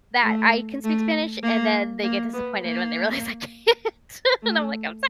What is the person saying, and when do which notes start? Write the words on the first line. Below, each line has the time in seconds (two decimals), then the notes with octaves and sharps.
that I can speak Spanish, and then they get disappointed when they realize I can't, and I'm like, "I'm
0.23 A3
0.84 A3
1.43 A#3
2.03 A#3
2.34 B3
2.63 A#3
4.43 A3